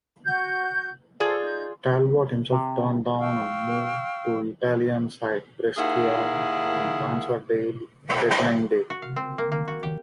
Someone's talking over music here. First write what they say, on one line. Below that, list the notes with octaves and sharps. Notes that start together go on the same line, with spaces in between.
Talbot himself turned down a move to Italian side Brescia on transfer deadline day.
F#4 G6
F4 G#4 A4 C5 D5
D#4 G6
C3
F5 G5 C#6 E6
D#2 D#3 E4 G#4 F5 F#5
F#4
F5
C4
A#3
A#3
F#4
G4